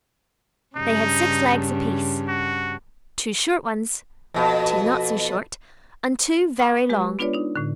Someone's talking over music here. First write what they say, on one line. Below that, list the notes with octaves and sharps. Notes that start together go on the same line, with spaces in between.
They had six legs apiece,--two short ones, two not so short, and two very long.
G2 C#3 D#4
F#4
F2 B2
F#5 C#6 F6
G#3 G4 B4
B3 D4 F4 B4 C#5 D5
D4 D#4
A2 D3